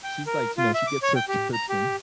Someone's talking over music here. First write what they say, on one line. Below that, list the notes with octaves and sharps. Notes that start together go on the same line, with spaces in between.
she's like you know, she gets her chirps in,
G5
A#4
F4
E5
D6
C#5
G5
G4
A#5
G4